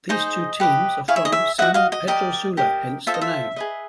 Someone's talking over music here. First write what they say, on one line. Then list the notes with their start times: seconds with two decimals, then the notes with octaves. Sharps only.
These two teams are from San Pedro Sula, hence the name.
0.09 D#4 G#4 C5 D#5
0.60 G4 B4 D#5
1.08 E4 G#4 C#5 F5
1.16 E5
1.25 D#5
1.32 E5
1.58 F#4 B4 D#5 E5 F#5
1.74 D#5 F5
1.92 D#5
2.07 G4 A#4 D5 D#5
2.57 G4 A#4 D#5
3.07 F4 A4 C5 E5
3.14 D#5
3.21 E5
3.56 G#4 B4 D#5